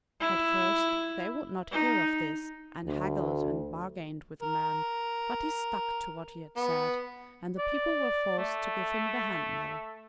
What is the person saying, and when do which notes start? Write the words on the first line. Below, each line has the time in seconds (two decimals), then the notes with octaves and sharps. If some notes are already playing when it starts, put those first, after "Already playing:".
At first they would not hear of this, and haggled and bargained with the man, but he stuck to what he had said, and the people were forced to give him the hand-mill.
0.20 E4
1.72 D#4
2.85 D2
4.42 A#4
6.57 B3
7.58 D5
8.38 A3